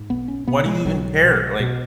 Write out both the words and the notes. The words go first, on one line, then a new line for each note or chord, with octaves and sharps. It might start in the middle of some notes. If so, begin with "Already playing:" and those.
"Why do you even care?" Like,
Already playing: G#2
B1 B3
C#4
B2 B3
G#3
B1 F#3
B2
B2